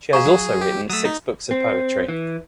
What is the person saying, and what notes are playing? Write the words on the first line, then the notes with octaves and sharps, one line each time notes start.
She has also written six books of poetry.
G#4 F5 A#5 C#6
F#3
G4
F#3 A3 D#6 E6
D#4
C4
E3